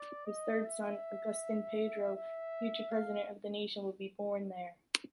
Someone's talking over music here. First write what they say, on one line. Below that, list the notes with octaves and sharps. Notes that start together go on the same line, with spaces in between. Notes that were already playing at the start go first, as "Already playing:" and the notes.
His third son, Agustín Pedro, the future President of the Nation, would be born there.
Already playing: D5
D#5
E5
E5
F5